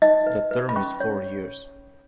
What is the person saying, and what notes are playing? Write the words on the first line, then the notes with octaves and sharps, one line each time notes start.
The term is four years.
D#4 D#5
B4
B4
B5
C#4 C#6
C#5